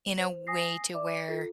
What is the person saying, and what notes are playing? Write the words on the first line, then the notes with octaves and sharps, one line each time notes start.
in a way to where
C5
G#5 D#6 A#6 C7
D5 E5 D6
F4 A4